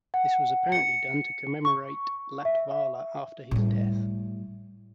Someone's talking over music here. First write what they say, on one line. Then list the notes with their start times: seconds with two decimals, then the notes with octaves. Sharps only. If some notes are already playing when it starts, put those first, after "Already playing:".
This was apparently done to commemorate Latvala after his death.
0.14 F#5
0.72 C#7
1.65 C#6
2.45 E5
3.51 A2 G3